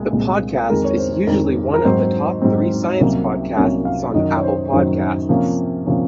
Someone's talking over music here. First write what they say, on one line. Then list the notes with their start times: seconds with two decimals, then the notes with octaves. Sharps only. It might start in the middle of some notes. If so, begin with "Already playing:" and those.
The podcast is usually one of the top three science podcasts on Apple Podcasts.
Already playing: C2 A#2 G#3
0.12 C2 A#2 G#3
0.70 F2 D#3 G#3 A#4
0.85 C#5
0.98 C5
1.13 C5
1.27 F2 D#3 G#3 A#4
1.74 A#4
1.84 G#2 F#3 C4 C5
2.42 G#2 F#3 C4
2.99 C2 C3 F#3 A#3 C#4
3.57 C2 C3 F#3 A#3 C#4 C#5
3.85 F5
4.14 F#2 D#3 F#3 D#5
4.36 C#5
4.43 C5
4.72 F#2 D#3 F#3 C5
5.29 C3 F3 A#3 C#4
5.86 C3 F3 A#3 C#4